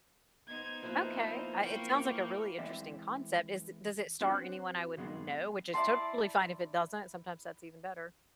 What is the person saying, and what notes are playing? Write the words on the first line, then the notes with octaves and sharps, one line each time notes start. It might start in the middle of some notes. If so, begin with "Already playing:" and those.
Okay, I it sounds like a really interesting concept is does it star anyone I would know? Which is totally fine if it doesn't, sometimes that's even better.
B3 D#4 C5 G#6
F3 A#3 E4 B4
A#3 G5 C#6
E3 G#3 C4 E4 D5 E5
C4 D4 F#4 C5 F#5
C#2 G2 F#3 G#3 B3 C4
E4 D5 A5 C6